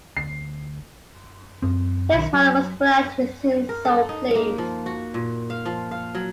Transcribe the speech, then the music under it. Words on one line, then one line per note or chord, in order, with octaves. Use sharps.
His mother was glad, he seemed so pleased.
D2 C7
F#2 C4
B1 D#3
F#3
A#4
A4
D#4
A#3
F3
F#4
A#2
F5
F3
F5
F#3